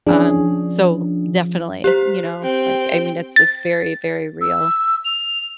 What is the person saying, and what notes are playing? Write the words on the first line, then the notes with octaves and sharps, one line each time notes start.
Um, so, definitely, you know, like, I mean, it's it's very, very real.
F3 C#4 D4 G#4
G4 C5
C4 G5
A6
E6
F7